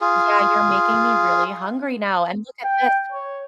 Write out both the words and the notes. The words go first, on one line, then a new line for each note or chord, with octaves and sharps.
Yeah, you're making me really hungry now, and look at this.
F4 G#4
G5
C#5